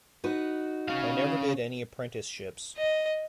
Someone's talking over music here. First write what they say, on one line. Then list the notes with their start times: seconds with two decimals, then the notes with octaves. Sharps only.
I never did any apprenticeships.
0.24 D#4 F#4 B4
0.88 C#4 F5
2.77 D#5